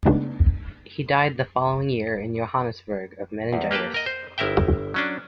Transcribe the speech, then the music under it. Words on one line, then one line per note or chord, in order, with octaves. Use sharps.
He died the following year in Johannesburg of meningitis.
C#3 G#3 A3 B3 D4 D#4
E2
A#3 G4 B4 G5 A5
A#4 D#5
C5
G1 E4 A#4 E5 G5
F#3 C#4 D4